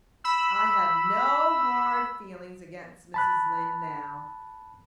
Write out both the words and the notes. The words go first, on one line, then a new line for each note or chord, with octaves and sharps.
I have no hard feelings against Mrs. Lynde now.
B5 E6
A5 B5 F#6